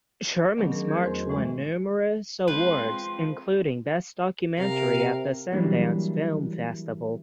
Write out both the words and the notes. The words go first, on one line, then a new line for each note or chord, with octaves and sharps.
"Sherman's March" won numerous awards, including Best Documentary at the Sundance Film Festival.
D#3 F#3 A3 B3 C#4 D4
G#4 A#4
G6 G#6
E2 B3 C5 C6
F#4 D#5
A2 E3 G#3
F3 G#3 C4 B4 C6
C3 A#4 F5
E3 F#3 G3 A#3 D4